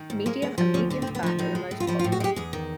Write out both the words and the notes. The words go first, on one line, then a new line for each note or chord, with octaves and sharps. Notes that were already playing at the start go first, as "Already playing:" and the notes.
Medium and medium-fat are the most popular.
Already playing: D#3
G#2
G#3 A#3
D2 B3
F3
D2 C#4
D3 D4
C4
D2
B3
F3 D#4
A2 D#4
G#3
A2
F4
F3 E4
F4
A2
F#4
G#3 G4
E2 G#4
D#3